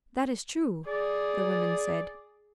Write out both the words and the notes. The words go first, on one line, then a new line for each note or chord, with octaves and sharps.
"That is true," the women said.
G#4 D5